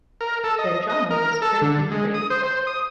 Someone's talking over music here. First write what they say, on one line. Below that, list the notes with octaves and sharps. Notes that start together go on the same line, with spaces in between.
The drama was critically praised.
A#4
A4
D#5
D#5
A#4
A4
D3
G#3
D#6
C5
C5
D#6